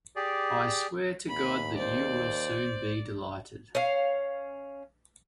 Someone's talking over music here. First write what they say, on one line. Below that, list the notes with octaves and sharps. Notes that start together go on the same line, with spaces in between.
I swear to God that you will soon be delighted!
G4 G#4 D5
D#2 B5
C5 D5
C#4 F5